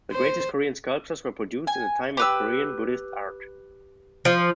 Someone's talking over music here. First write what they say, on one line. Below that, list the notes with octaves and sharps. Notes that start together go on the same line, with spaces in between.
The greatest Korean sculptures were produced in the time of Korean Buddhist art.
C5
G#5
G4 B4 E6
F3